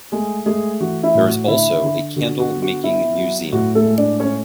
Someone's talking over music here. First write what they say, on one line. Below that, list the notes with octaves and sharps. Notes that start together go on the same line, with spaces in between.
There is also a candle making museum.
G#3 A3 G#4
G#3 A3 G#4
E3 F#4
E4
A2
F#4
D3 E4
D3
D3 F#4
F#4
B3
F#4
B3 E4
F#3
A2 F#4
A3 A4
G#3
D4 D5
A3 C#4 C#5